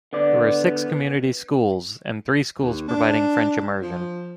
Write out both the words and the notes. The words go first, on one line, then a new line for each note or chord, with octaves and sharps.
There are six community schools, and three schools providing French immersion.
D3 B3 D5
D#2
D4
F3